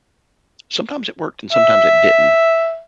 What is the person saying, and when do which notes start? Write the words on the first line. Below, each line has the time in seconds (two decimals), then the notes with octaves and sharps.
sometimes it worked, and sometimes it didn't.
1.53 E5